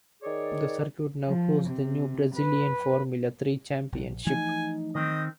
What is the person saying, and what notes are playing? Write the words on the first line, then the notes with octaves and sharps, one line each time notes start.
The circuit now host the new Brazilian Formula Three Championship.
D#3 G#4 C#5 D5
F3
C3
B4
A#1
E3 F3 A3 D#4 G#5
D#3 C4 D#5